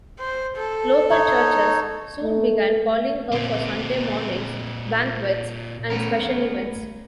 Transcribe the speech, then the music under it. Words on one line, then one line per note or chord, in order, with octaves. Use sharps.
Local churches soon began calling her for Sunday mornings, banquets and special events.
C5
A4
D#4 C#5
A3
A#2 C4
A3 B3 C#4 A#4